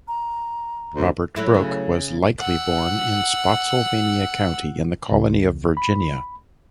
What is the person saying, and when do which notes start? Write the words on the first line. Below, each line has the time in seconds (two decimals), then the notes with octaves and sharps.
Robert Brooke was likely born in Spotsylvania County in the Colony of Virginia.
0.08 A#5
0.94 D2
1.36 F#3 A3 E4
1.54 C#3
2.39 F#5 E6
5.12 C#2
5.77 B5